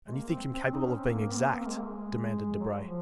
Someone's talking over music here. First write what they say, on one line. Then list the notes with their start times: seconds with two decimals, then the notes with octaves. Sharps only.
"And you think him capable of being exact?" demanded Debray.
0.07 G#3
0.13 A#3
0.28 C4
0.54 C4
0.64 C4
0.75 D#4
0.85 C#4
0.96 C4
1.06 A#3
1.32 C4
1.37 A#3
1.47 C4
1.58 A#3
1.68 G#3
1.78 A#3
1.89 G#3
2.60 F#3
2.82 F3